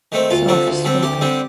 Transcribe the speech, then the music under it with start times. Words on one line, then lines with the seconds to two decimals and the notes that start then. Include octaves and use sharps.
Soft spoken.
0.12 D#3 A3 C4
0.30 D2 F4
0.48 D3 G3 C4
0.67 D2
0.85 D3 G3 C4
1.02 D2 G4
1.21 D3 G3 C4